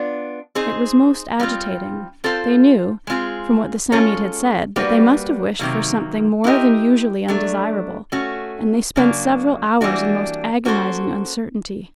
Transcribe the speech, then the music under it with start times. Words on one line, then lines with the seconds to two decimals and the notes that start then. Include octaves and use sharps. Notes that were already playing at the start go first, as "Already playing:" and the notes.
It was most agitating; they knew, from what the Psammead had said, that they must have wished for something more than usually undesirable, and they spent several hours in most agonizing uncertainty.
Already playing: B3 D4 F4
0.55 C4 D#4 G#4 C5
1.40 G3 C4 F4
2.24 C4 F4 A4 C5 F5
3.07 G#3 C4 F4 G#4
3.92 G#3 C#4 F4 A4 C#5
4.76 G3 A#3 D4 F#4 B4
5.59 C3 D#3 F#3 A#3
6.44 C4 E4 G4 A#4 D#5
7.28 F#3 A3 D4
8.12 A3 C#4 F#4
8.96 C#3 F#3 A#3 D4
9.81 E3 G3 A#3 D4 F#4
10.65 A#3 C#4 F#4 A4 C5